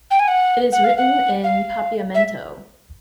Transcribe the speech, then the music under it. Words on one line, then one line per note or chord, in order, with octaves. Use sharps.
It is written in Papiamento.
G5
G#5
F#5
F#5
F5
F#5
F5
E5